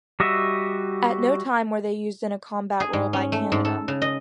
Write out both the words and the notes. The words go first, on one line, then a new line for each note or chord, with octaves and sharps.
At no time were they used in a combat role by Canada.
G3 F#4 D#5 E5
G#4
G#2
C#4
A3
G#2
A4
C#3
D#5